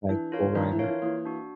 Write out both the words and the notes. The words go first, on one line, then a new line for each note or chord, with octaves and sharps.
like, bull rider.
E3 D4
F4 A#4 C#5 F5
D#3 D4
E3
F4 A#4 C#5 F5
E3
E3 A#3
D4 F#4